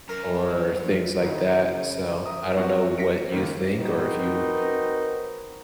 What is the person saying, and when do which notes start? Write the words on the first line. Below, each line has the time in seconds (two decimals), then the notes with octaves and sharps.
or things like that. So I don't know what you think or if you
0.09 F#2 A#4
0.86 A#1
1.20 D#3 F#3 D#4 E4
1.63 C#3
2.26 E5 A#5 D#6
2.57 G2 F3 C4 F#4
2.98 A#6 B6 C#7 D7
3.32 C#2 D#3 A#3
3.78 C4 D#4 F#4 A#4 B4